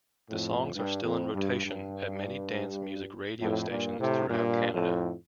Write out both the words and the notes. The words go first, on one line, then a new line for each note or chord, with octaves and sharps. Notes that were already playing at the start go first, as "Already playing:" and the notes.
The songs are still in rotation at many dance music radio stations throughout Canada.
F2 A2
G2
F2
G2
G2
F2 A2
G2 A#2
A2 C3
G2 A#2
F2 A2